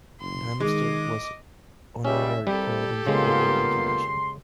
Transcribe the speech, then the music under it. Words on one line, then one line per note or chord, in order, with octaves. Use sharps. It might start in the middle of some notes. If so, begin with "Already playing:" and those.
Lambsdorff was honorary president of Liberal International.
F#1 C6
D#3 G#3 D#5 D6
C#2 G3 C#4 E5
C2 C3 G3 G4 A4
C#3 G#3 A#3 B3 F4 C6